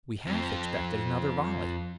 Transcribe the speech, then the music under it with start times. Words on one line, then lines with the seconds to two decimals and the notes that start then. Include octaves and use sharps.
We half expected another volley.
0.27 F2 F3